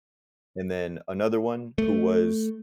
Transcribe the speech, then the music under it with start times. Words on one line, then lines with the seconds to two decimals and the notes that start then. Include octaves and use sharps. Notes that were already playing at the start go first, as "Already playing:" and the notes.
and then another one, who was
1.78 A3